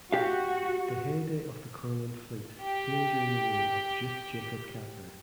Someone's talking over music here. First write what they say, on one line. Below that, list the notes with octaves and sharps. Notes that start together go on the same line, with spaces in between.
The heyday of the Courland fleet came during the reign of Duke Jacob Kettler.
F#4 G4 F5
G4 G5